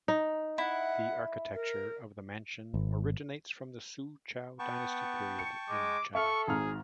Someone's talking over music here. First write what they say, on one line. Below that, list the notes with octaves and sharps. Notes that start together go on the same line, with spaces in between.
The architecture of the mansion originates from the Su Chow Dynasty Period in China.
D#4
E4 F#5
A#4
G#1
B3 G5 A5 C#6
C#7
G#3 D6
A4 E5 C#6 F6
G#1 G#2 G#4 F6